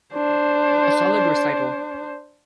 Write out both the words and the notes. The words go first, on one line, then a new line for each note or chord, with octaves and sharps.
A solid recital.
D4 C5